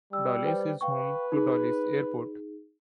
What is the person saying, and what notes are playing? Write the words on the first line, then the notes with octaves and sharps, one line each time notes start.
Dolise is home to Dolisie Airport.
G3 E6
B4 C5 G5
B4 F5 G5 C#6
D#4 G#4